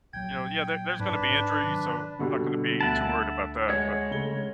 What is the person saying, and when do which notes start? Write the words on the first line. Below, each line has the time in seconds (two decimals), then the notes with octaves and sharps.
You know, yeah, there there's gonna be injuries, so I'm not gonna be too worried about that. But
0.13 A#1 F#3 G5 G#6
1.00 G#2 D4 B4
1.62 C3 D#3 F#3
2.19 B2 D3 G3
2.81 D2 E5 F#5 A5 B5 D7
3.69 G#3 C#5 F#5
4.11 C#3 A3 G7